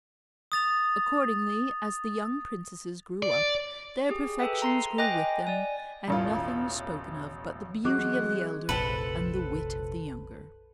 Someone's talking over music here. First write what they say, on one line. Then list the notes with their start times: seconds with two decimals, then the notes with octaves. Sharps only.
Accordingly, as the young princesses grew up, their perfections grew with them; and nothing was spoken of but the beauty of the elder and the wit of the younger.
0.52 D#6 A6 F7
3.23 D5
4.09 G4 G#4
4.39 A4 B4 E5 G5
4.62 A#5 C6 C7
4.98 D#5 G5 G#5 D6 F#6 A#6
5.47 D5 G#5
6.08 E1 A1 F4
7.85 E3 F#3 G#3 C4 F#4 D6 F#6
8.69 F1 A#1 A4 B4 C5